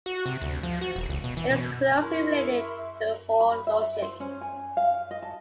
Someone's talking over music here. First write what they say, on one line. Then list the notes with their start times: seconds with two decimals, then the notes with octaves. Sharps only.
It is closely related to Hoare logic.
0.06 F#4
0.26 C3
0.42 D2
0.63 F3
0.81 F#4
0.96 E1
1.10 C#2
1.24 B2
1.37 E3
1.50 B2
2.02 E4 G#4 A#4 C6 C#6
3.40 B5
3.67 E5
4.02 C5
4.20 C#4
4.41 G#5
4.77 F5
5.11 D#5
5.22 A5